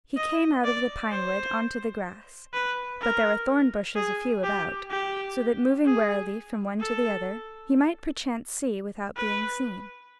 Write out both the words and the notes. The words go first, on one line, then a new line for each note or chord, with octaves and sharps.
He came out of the pinewood on to the grass; but there were thornbushes a few about, so that moving warily from one to the other, he might perchance see without being seen.
D#5
D5
C5
B4
A#4
G#4
G4
G4
G#4
A4
B4